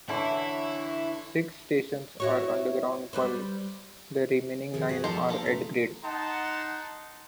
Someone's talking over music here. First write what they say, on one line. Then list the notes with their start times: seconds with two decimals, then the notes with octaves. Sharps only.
Six stations are underground, while the remaining nine are at-grade.
0.09 D3 E3 E4 C#5
2.20 E4 F#4 C#5
3.13 G3 B4 C5
4.74 D#3 F3 G3 G#4
4.88 B3 F#4 F5
5.04 F2 G4 A4 A#4 A5 C6
5.29 A#3 A4 A#4
5.42 C#3 A3
6.03 D#4 F#5 A5 C6